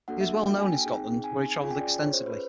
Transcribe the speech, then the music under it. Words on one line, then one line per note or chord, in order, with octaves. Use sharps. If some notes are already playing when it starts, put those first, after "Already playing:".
He was well known in Scotland, where he travelled extensively.
A#3 D4 F#4 A4 F#5
E5
G5
G#5
G5
C4 D#4 G#4
G#5
C#4 F4 G#4 G#5
G5
D5
C#5
C5
B4